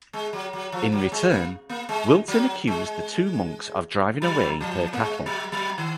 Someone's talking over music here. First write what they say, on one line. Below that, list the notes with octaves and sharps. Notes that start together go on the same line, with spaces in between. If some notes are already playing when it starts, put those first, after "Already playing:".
In return Wilton accused the two monks of driving away her cattle.
G#3
F#3
F#3
F3
F#3
G#3
A#3
A#3
G#3
F#3
G#3
F#3
F3
A#3
G#3
F#3
F#3
D#3